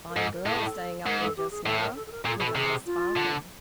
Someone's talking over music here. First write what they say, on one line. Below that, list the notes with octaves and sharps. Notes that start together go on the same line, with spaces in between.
"Fine girl staying up there just now!" His eyes sparkled.
A#4
G#2 A4
A#4
A2 A4
G#4
A4
G#2 A#4
A4
G4
G#4
A2 A4
A#4
A4
A4
A#4
A#2 A4
G#4
B2
A4
C3 G#4
F4
D3